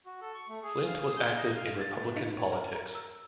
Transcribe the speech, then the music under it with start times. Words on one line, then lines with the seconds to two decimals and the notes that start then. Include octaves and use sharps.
Flint was active in Republican politics.
0.06 F#4
0.21 A4
0.34 C#6
0.49 A3
0.63 G#4
0.85 F5
1.00 G#4
1.17 G6
1.37 D#5
1.54 F5
1.81 A6
1.96 A2
2.16 D#4
2.37 C#5
2.52 A#4
2.75 A#4
2.95 E6